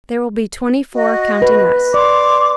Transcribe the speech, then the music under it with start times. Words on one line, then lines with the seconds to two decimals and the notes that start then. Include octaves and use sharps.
There will be twenty-four, counting us.
0.93 F#4 D#5
1.42 B4
1.94 D5 C6 D6